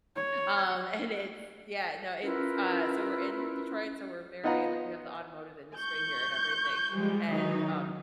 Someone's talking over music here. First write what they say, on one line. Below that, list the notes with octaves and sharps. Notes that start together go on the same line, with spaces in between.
um, and it's yeah, no, it's, uh, so we're in Detroit, so we're very like, we have the automotive industry here and everything, and, um,
C#5
C#4 E4 F4 A#4 B4
B3 D#4 F4 D#5 F#5 A#5
C#6 G6
F3 G3 G#3
D#3 E3 F#3 D#4